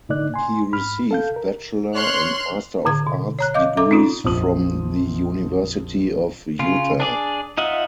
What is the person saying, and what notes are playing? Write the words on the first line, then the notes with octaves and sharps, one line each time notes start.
He received Bachelor and Master of Arts degrees from the University of Utah.
A2 D3 A#3 D#4 D5 F#6
G#5 C6
G#2 B5 F6
A4 F5 G6
A#4
C#5 C6 F6 F#6
A2 D3 G#6
B2
C#5 A#5 F#6
D#5 F5 D6 G6
A4 E5 A#5 D6
C4 C#4 D#4 F4
A#1 F2 F3 C4 D#6 F#7
C#3 F4
D4 G#4 D5
D#4 F4 D#5 E5 F#5